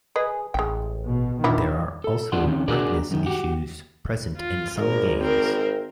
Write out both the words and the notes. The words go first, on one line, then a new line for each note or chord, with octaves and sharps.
There are also brightness issues present in some games.
G#4 B4 D#5
A1 G#3 G5
B2
A#2 D#3 D4 E4 F4
A4
F2 D4 F4 D5 F#5 C6
D#3 C4 C#4
D4 F#4 G#4 A#4 D5
F#2 D#3
F#4 G4
F4
G#1 A#4
C4 A#4